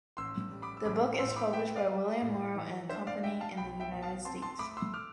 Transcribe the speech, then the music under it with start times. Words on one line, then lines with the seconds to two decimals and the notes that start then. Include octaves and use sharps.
The book is published by William Morrow and Company in the United States.
0.17 A1 C6 E6
0.51 G3
0.62 B5 D6
0.77 E6
0.85 A1 B5 D6
1.19 A2 C6 E6
1.36 B5 D6
1.53 B3 E5 G5
1.76 D5 F5
1.88 G3
2.22 A2
2.56 E3
2.89 D4 C5 E5
3.07 D5 F5
3.23 G3 E5 G5
3.41 F5 A5
3.57 B1 G5 B5
3.80 E5 G5
3.92 B2
4.02 F5 A5
4.25 C4 A5 C6
4.42 A5 C6
4.59 A3 B5 D6
4.77 C6 E6
4.94 D6 F6